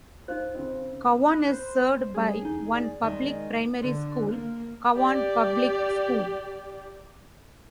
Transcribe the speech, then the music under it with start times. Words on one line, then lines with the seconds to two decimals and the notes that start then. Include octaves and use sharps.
Cowan is served by one public primary school, Cowan Public School.
0.28 D#4 F4 C5
0.55 C#3 C4
1.30 B5 F#6
1.51 C5
2.14 G3 C#4 G#4 A4
2.45 E2 D#4 G#5
2.75 D5
3.03 D#3 G#3
3.81 D3
4.30 A#3
4.95 G4 D5